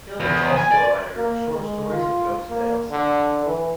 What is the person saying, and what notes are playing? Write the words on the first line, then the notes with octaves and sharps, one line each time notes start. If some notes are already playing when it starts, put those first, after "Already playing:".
Hill was also a writer of short stories and ghost tales.
E2
G#5
D5
A#3
G#3
F4
A#3
D3
E3